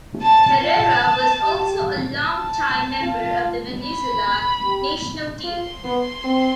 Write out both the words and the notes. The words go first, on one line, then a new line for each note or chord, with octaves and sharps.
Herrera was also a long-time member of the Venezuela national team.
A5
F4 A5
G4
A5
F4
B5
G4
F4 C6
B3
C4